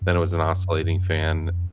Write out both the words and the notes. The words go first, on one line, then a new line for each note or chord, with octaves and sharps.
then it was an oscillating fan.
F#2
F#2
F2